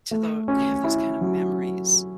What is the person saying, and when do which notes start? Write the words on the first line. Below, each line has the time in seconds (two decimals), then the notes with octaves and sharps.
to the have those kind of memories.
0.11 A3
0.48 C#4
0.84 E4
1.21 F#3